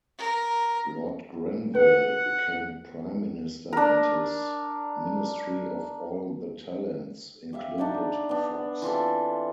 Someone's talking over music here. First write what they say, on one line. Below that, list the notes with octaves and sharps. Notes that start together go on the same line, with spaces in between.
Lord Grenville became Prime Minister, and his "Ministry of All the Talents" included Fox.
A#4
B4 F#5
D4 A#4
G4 E5 F5
D4 D#4 D5 F#5
B3 D4
E3 C4 F4 A4